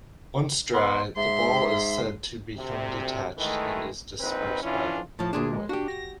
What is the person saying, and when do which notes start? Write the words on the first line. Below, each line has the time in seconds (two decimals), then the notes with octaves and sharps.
Once dry, the ball is said to become detached and is dispersed by wind.
0.74 B3 C6
1.17 G#2 E5 C6
2.55 D2 C3
3.38 D#3 E3 G#3 A3
4.20 A#1 C4 D#4 B4
4.63 E3 C#4 D4 E4 F4
5.19 A2 F3 A5
5.33 D2 A#2 D4 G#4
5.52 G#3
5.69 D4 F#4 G4
5.88 A#6